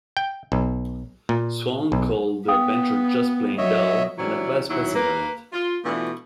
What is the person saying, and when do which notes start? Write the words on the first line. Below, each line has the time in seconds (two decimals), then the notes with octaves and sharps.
Swan called the adventure "just plain dull" and advised passing on it.
0.17 G5
0.52 B1
1.29 A#2
1.92 B1
2.48 B3 F5 G5 D#6
3.58 F#3 C#5 D#5 E5
4.18 E3 F#3 G3 C4 C#4 E4
4.68 D#2 F#3 E4
4.94 A#3 B4
5.52 F4
5.84 B2 E3 A3 B3 D4 F4